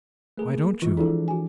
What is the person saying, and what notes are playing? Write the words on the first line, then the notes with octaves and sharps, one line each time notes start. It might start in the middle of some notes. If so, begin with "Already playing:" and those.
"Why don't you?"
A3 A#3 G#4 B4
E3 G#3 F4
F3 D4 E4 G#4 A4
F#4 G#5